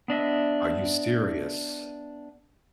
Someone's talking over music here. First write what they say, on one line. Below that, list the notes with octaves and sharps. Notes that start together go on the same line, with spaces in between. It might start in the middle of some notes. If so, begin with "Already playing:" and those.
Are you serious?
B3 D4 D#5 E5